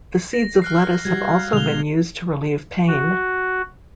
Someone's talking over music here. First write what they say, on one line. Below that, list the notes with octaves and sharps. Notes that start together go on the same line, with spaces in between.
The seeds of lettuce have also been used to relieve pain.
A#6
F6 F#6 C7
G3 F#4 G#6
F5
B2 D3 G#3 F7 G7
F#4